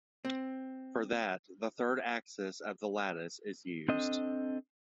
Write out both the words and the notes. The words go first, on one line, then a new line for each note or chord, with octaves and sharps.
For that, the third axis of the lattice is used.
C4
C4 D4 A4 D#5